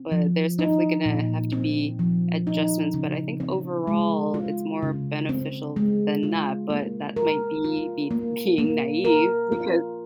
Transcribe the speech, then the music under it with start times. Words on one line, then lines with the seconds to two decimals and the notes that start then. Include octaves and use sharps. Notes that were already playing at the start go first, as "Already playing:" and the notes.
but there's definitely gonna have to be adjustments, but I think overall it's more beneficial than not, but that might be be being naive because
Already playing: C4
0.12 F3
0.59 D#4
1.05 A#2
1.52 C4
1.99 F3
2.47 D#4
2.94 C#3
3.40 C4
3.87 G#3
4.34 F4
4.82 C#3
5.29 C4
5.76 G#3
6.23 F4
6.70 A#3
7.16 A#4
7.64 F4
8.11 A#3
8.58 A#3
9.05 A#4
9.52 F4